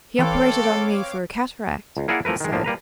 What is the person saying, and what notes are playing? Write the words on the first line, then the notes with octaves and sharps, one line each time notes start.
"He operated on me for a cataract," he said.
E3 C4 A4 B4 C#5 F5 D6
C#2
A#3 E4 G#4 A#4 D5 F#5
E3 F3 A3 A#4 B4
D#3 G#3
A2 F3 A#3 D4
G3 A#3 B4 A#5